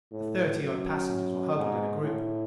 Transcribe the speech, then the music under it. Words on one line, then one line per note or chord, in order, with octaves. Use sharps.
The thirty-odd passengers were huddled in a group.
A2
F#2
G#2
A2